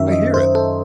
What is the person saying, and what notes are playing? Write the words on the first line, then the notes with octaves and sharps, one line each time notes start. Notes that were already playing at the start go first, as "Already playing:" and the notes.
I hear it.
Already playing: F#2 D#3 F#3 C#4 E5
D#5
C5
A4